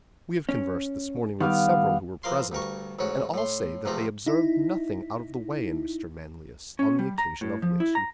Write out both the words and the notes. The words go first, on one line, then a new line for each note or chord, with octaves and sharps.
We have conversed this morning with several who were present, and all say that they observed nothing out of the way in Mr. Manlius, on the occasion of which you speak.
C#4
D#3 G3 B3 F5 D6
E3 F3 A#4 F5 C6
D2 G2 A#4 C#6
A1 G#2 C#4 F#4
A2 C6
E2 C3 F3 A3 F4 A#5
D#4 E4
C#4
G3
A#5
A2
F3
E4
A#5